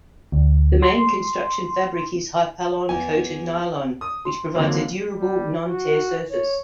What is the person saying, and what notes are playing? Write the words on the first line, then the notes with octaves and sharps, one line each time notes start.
The main construction fabric is Hypalon-coated Nylon which provides a durable, non-tear surface.
D2
C6
E2 G#5
D#6
C6
D3 E3 F#3 G#3 A#3 C4
G3
F#4
C#5